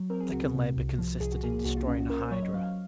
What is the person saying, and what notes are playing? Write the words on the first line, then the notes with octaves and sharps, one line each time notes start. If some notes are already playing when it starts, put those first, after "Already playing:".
The second labor consisted in destroying a hydra.
Already playing: F#3
C4 A#4
G#4
C#2 F#4
C3
C2
F3
C2 G#4
F#4
A#3 G#4
C2 F#4
F4
C#4 F4
F#4
C#4 A#4
C5
F#3 C#5
D#5
F#3 F5